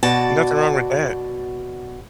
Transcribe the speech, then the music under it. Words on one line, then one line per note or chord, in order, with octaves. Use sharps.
Nothing wrong with that.
B2 F#4 D5 A5